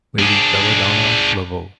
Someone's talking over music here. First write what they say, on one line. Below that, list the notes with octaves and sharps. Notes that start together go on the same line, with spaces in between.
Lady Belladonna Laveau.
D4 G#4